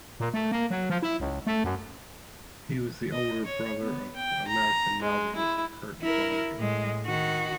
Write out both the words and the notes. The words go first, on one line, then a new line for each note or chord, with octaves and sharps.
He was the older brother of American novelist Kurt Vonnegut.
A#2
A3
A#3
F#3
F3
E4
C#2
A3
F#2
D#5
C#5
B3
G5
A#5
G#3
E4
E4 A#4
A2 G#3
D#3 F#4